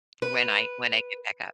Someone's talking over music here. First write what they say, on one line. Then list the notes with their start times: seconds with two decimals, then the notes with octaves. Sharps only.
when I when I get back up.
0.22 B4